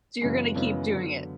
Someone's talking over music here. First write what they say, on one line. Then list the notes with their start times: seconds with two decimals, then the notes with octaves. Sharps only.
So, you're gonna keep doing it.
0.21 F#2 C#3 E3 G#3 B3
0.55 F#2 C#3 E3 G#3 B3
0.91 D3 F#3 B3